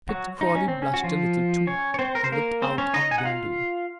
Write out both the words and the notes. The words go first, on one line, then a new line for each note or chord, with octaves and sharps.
Pitt Crawley blushed a little too, and looked out of window.
F#3 F#4
D#4
C#4
C4
C#4
F#4
F3 F4
C#4 C#5
C#5
C4 C5
A#4
C5
A#3 A#4
C4 C5
C#4 C#5
D#4 D#5
G#5
F#5
F4 F5